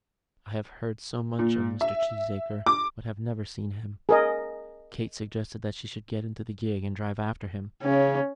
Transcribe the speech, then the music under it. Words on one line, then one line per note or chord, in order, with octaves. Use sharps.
"I have heard so much of Mr. Cheesacre, but have never seen him." Kate suggested that she should get into the gig and drive after him.
A#2
E5
D6
G#4 A#4 D#5
C#3 C#4